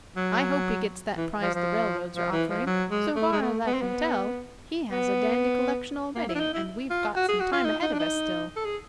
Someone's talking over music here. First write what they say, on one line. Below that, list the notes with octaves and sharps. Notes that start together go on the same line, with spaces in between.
"I hope he gets that prize the railroads are offering. So far as I can tell he has a dandy collection already, and we've got some time ahead of us still."
F#3
E3
F3
F3
F3
E3
F3
F#3
G#3
A3
G#3
A3
B3
C4
B3
B3
A#3
E4
D4
D#4
E4
F4
F#4
G#4
F#4
F4
D#4
D#4
D4
D#4
A4
G#4